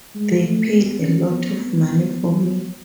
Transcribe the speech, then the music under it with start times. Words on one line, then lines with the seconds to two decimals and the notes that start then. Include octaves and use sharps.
They paid a lot of money for me.
0.15 G#3
0.43 A3
0.72 B3
1.01 C#4
1.30 B3
1.59 B3
2.45 B3